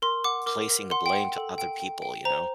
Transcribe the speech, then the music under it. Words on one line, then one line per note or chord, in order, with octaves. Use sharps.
placing the blame to other people, you know?
A#4 C6
F#5 D6
A#4 D6
A#4
F#5 C6
G5
F#5
A4
G5
G5
G5
C5 A#5